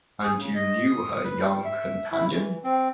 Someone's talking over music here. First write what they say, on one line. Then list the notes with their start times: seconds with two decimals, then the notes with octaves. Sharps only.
And you knew her young companion?
0.23 G#4
0.39 C#3
0.55 D#5
0.85 D#6
1.24 B4
1.41 G3
1.65 E5
2.12 E4
2.34 E3
2.64 C4